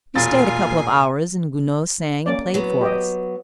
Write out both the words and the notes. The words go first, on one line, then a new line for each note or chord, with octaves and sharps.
We stayed a couple of hours, and Gounod sang and played for us.
E1 A#2 F4 G#5 A6 C7
A#3 C#4 D5
F#3 B3
G4 D#5